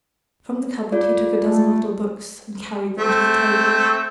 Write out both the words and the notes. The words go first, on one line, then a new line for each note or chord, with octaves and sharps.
From the cupboard he took a dozen little books and carried them to the table.
F4 D5
A3
A3 C4